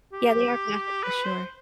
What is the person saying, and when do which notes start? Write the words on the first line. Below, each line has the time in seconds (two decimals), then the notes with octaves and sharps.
Yeah, they are classic for sure.
0.13 G4
1.03 B4
1.25 C5